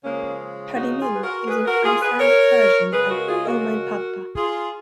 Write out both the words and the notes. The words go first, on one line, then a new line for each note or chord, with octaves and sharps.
"Pabbi minn" is an Icelandic version of "O Mein Papa".
C#3 F3 G#3 A#3 C#4
D#4 F#4
F4 G#4
B4
F#4 A#4
G#4 B4
F#4 A#4
F4 G#4
G#4 B4
A#4 C#5
C#3 G#3 G#4 B4
F#4 A#4
F4 G#4
F#4 A#4
F4 G#4